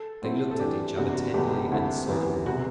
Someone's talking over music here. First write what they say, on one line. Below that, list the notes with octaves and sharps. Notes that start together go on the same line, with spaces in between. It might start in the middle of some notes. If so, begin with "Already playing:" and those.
They looked at each other tenderly and solemnly.
Already playing: A4
A2 F#3 C4 E4
A4
A2 E3 A3 D4 G4
F#1 E2 C3 G3 D4 F#4
F#4
F#1 E2 C3 E3 A3 G4
G4
D2 D3 A3 C4 E4
F#2 E3 G3 B3
E1 C3 F#4